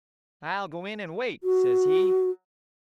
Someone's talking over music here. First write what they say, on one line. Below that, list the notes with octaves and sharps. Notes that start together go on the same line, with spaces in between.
'I'll go in and wait,' says he.
F#4